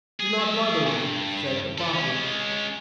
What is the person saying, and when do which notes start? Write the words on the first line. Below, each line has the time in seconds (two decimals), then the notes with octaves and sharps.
"Do not bother me," said the potter.
0.20 G#4
0.40 G#4 E5
0.86 G2
1.78 B3 A4
1.94 G#3 C#4